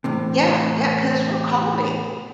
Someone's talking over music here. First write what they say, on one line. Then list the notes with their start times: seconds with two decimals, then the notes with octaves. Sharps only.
Yeah, yeah. 'Cause it's real calming,
0.04 E2 A2 C3